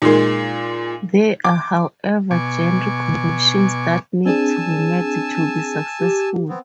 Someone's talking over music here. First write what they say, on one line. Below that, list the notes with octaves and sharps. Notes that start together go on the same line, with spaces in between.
There are, however, genre conventions that need to be met to be successful.
A#2 G#3 D#4 A#4
D6
B2 G#5 C#6 D6
C4 D4 G#4 G#5 A5 E6
G4
B3 C4